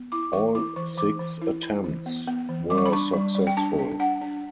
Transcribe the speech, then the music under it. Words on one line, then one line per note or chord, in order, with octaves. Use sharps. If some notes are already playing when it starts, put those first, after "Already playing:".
All six attempts were successful.
Already playing: B3
E4 D6
D6
E3 C#6
E4 D6
E3 C#6
E3 D6
E3
E4
E4
E3
B3
B3
E3
G3 D6
C#6
B5
D4 C#6
G3
G3
G5
D4 A5
D4
D4 F#5
D4